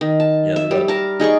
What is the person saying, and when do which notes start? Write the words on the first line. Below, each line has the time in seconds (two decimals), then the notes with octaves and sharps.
Yeah, th that
0.01 D#3
0.20 A5
0.56 E5
0.71 G3
0.88 A#4 A5
1.20 D#4 G#4 D5 C#6